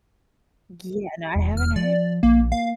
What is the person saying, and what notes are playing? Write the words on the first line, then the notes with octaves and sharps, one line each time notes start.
Yeah. No, I haven't heard
D#1 E2
F6
F3 D5
A#1 A#3
A#3 F5